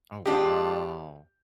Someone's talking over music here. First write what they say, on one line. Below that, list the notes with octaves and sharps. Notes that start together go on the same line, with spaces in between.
Oh wow.
G#3 D4 F4 G4